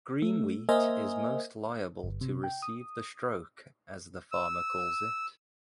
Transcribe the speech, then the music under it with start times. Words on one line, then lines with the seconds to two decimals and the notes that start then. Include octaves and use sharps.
Green wheat is most liable to receive the stroke, as the farmer calls it.
0.22 A3
0.69 A#3 A#4 C5 D#5 E5 G#5
2.03 G1
2.21 C3
2.44 G5
2.62 D#6
4.32 E6